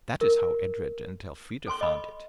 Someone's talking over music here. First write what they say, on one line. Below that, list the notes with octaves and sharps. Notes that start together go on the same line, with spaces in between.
That is how Edred and Elfrida found it.
A#4
A4 G#5 C6 C#6
D#5 B5